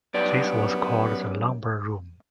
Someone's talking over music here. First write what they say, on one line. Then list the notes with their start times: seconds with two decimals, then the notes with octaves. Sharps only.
This was called the lumber room.
0.14 F#2 G3 B3 D5